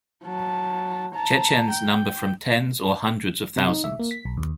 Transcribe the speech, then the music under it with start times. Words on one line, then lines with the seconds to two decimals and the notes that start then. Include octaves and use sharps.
Chechens number from tens or hundreds of thousands.
0.24 F#3 A5
1.15 A5 A#5
1.71 G5
3.56 C3
3.69 D#4
3.84 E5
4.00 A#3
4.11 B6
4.25 B1
4.37 D#2